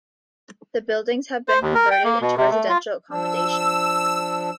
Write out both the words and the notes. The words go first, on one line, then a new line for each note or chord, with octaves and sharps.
The buildings have been converted into residential accommodation.
C5
D#2
A#4
G5
A#3
B2
C3
A3
F4
F3 D4 E6